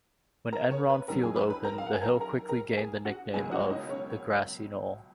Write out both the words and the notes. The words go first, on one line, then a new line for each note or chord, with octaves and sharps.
When Enron Field opened, the hill quickly gained the nickname of "The Grassy Knoll".
A#4 A#5
C#4 C#5
B4 B5
F2 D#3 F#3 A#4 A#5
G#4 G#5
B4 B5
B4 B5
A#4 A#5
F5
F#5
G#5
A#4 A#5
A#4 A#5
A#4 A#5
G#4 G#5
F#4 F#5
C#2 B2 F#3 A#3 G#4 G#5
F#4 F#5
C#5
D#4 D#5
C#4 C#5
C#5